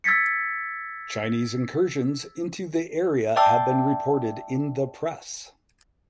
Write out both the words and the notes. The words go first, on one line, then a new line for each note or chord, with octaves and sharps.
Chinese incursions into the area have been reported in the press.
E6 G#6 A6 B6 C#7
D5 E5 G5 A5 D6 E6